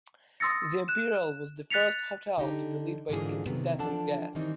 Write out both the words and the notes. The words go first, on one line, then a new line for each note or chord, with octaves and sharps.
The Imperial was the first hotel to be lit by incandescent gas.
C6 D#6 E6 A6 A#6 C#7
F#6 E7
F#6 A6 B6 C#7 F7
D3 D#4 G4
G#2 D3 E3 A#3 F4 G#4
C3 D#3 F#3 B3 C4
E3 F3 D4 A4 F#5 A5
D#3 E3 G3 C4 D#4